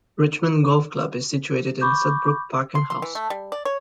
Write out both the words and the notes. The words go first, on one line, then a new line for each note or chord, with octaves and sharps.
Richmond Golf Club is situated in Sudbrook Park and House.
B5 C#6 D6 G6
C6
C6
E3
A3
G3
D5
C#5